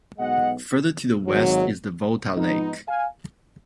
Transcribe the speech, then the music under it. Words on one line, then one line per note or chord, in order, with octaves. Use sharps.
Further to the west is the Volta Lake.
B1 B2 G#3 D#5 F#5
G#1 G#2 F#3
G#2 F3 B3 D#4
F5 G#5